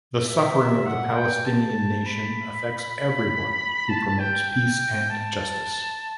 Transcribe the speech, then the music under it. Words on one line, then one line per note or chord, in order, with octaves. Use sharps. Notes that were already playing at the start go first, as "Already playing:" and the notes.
The suffering of the Palestinian nation affects everyone, who promotes peace and justice.
E5
F#5
G5
A5
B5
A5
G5
G5
A5